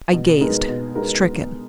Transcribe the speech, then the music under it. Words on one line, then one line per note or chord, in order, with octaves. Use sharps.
I gazed, stricken.
B2
G#3 B3 D#4 A#4
B2
G#3 B3 D#4 A#4